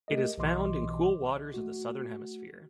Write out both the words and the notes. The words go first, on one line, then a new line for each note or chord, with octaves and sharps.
It is found in cool waters of the Southern Hemisphere.
A3 G4 A#4 D#5
B1 B2 E3 D#5 C6 D6
A3 F#4